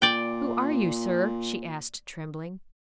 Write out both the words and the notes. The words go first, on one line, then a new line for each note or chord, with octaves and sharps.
"Who are you, sir?" she asked, trembling.
A#2 D5 G5